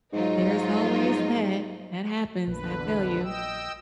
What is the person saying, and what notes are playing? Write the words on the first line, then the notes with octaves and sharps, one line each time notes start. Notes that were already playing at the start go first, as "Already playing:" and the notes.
There's always that, that happens I tell you,
G#2 F#3 D#4 F4
A#1 E2 D3 B4
D#5 G5 E6